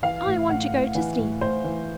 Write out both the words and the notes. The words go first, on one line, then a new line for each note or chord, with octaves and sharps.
I want to go to sleep.
E3 F5
A2
A2 F#5
A2
E3
A2
A2 C5
E3